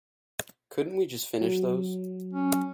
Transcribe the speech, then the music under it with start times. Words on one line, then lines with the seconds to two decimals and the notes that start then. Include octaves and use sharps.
Couldn't we just finish those?
1.41 F#3
2.33 C#4